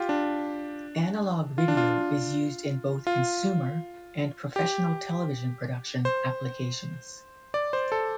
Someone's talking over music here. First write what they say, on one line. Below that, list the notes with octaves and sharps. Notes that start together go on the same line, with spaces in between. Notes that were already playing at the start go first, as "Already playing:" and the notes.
Analog video is used in both consumer and professional television production applications.
Already playing: F4 G4
D4
F4
D4
F4
F4
G4
C5
D5
C5
A4